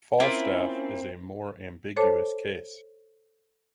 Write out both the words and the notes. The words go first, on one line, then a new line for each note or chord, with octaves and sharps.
Falstaff is a more ambiguous case.
A#3 C4 C#4 E4 F4
A4 C5 C#5 A5 D6